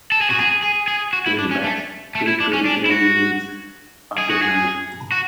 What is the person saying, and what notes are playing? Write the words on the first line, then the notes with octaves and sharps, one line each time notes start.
In Basque, Gaueko literally means "of the night".
A4
G#4
F#4
G#4
G#4
G#4
F#4
E4
D4
C#4
A3
A3
E4
D4
C#4
D4
E4
F#4
G#4
F#4
G#4
F#4